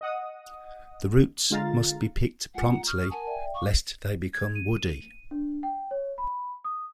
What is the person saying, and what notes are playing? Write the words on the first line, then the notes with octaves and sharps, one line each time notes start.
The roots must be picked promptly lest they become woody.
D#5 F#5 D#6
D3 G#3 F4 F5 A#5 A6
G#3 F4 F#5 G#5
A#5
C#6 D#6 F6
A#4 F#5 G#5 A5
D5 E5 G5
F5 C#6 D6
G#6
D#7
D4
G5
C#5
B5
D#6